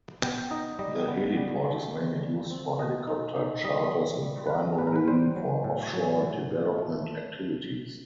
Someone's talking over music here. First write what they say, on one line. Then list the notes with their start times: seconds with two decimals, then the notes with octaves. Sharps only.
The heliport is mainly used for helicopter charters and primarily for offshore development activities.
0.22 B3 G5
0.51 D#4 D#5
0.79 G3 D#5
1.08 B3
1.37 G3
1.64 D#3
1.93 C4
2.22 G3
2.51 C4
2.79 B2 D#5
3.07 D#4
3.36 D#4
3.64 G3 D#5
3.94 G3
4.22 G3
4.47 B4
4.50 G3 A#4
4.78 A2 B4
4.87 A#4
4.96 B4
5.07 G3 C5
5.36 F#3
5.64 A2
5.93 F#3
6.22 A2
6.51 A2
6.78 A3